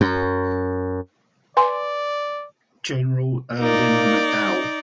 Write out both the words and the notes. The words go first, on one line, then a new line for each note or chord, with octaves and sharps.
General Irvin McDowell.
F#2
B4 D5 G#5 C6
A#3 D#4 D5